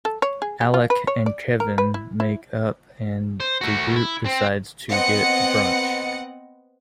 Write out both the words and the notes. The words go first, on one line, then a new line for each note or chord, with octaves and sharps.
Alec and Kevin make up and the group decides to get brunch.
A4
C#5
G#4
G4
F4
B4
C#5
D5
A#4
B4
E4
E4
C5
A3 F#4
E4
C4
B3 C4 D#5 F#5 C#7